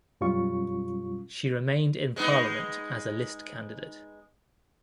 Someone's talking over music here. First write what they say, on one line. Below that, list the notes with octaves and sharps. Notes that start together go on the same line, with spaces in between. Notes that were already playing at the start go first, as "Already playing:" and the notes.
She remained in Parliament as a list candidate.
F#2 B2 G3 C#4 F4 C#6
G#3 B3 D#4